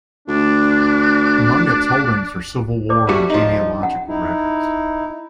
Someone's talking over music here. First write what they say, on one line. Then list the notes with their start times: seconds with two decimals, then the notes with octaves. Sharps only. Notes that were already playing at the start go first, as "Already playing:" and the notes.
Among its holdings are Civil War and genealogical records.
0.28 D2 D4
2.89 C5 D5 D6
3.09 G3 A3 F#4 G4
3.30 F3 D#4
3.81 C#4 F#5
4.08 D#4 E4